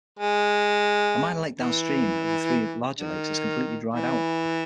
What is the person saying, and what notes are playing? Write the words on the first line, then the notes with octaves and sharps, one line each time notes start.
A minor lake downstream of the three larger lakes has completely dried out.
G#3
E3
D#3
E3